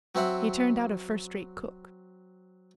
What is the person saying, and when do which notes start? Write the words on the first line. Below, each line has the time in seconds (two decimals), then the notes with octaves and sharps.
He turned out a first-rate cook.
0.15 F#3 C4 E5 F#5